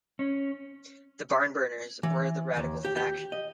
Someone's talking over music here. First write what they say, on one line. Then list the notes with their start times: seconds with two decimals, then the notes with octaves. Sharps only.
The Barnburners were the radical faction.
0.19 C#4
2.03 E3
2.57 D#2
2.85 G4
2.97 G4
3.32 D#5